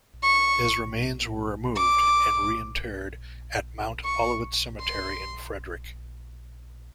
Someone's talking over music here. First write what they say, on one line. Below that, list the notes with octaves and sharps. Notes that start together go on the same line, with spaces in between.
His remains were removed and re-interred at Mount Olivet Cemetery in Frederick.
C#6
D6
C#6
C6